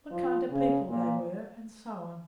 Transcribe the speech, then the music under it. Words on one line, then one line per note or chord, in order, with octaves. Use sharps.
What kind of people they were? and so on.
F3
C#3
A#2